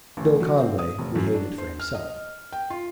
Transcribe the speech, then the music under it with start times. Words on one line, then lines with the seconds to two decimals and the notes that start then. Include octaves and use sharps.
Bill Conway we hated for himself.
0.17 A1
0.40 F#3
0.60 C4
0.79 D#6
0.99 F1
1.16 F#2
1.35 D4
1.58 C5
1.80 F6
1.95 D#5
2.52 G5
2.70 F4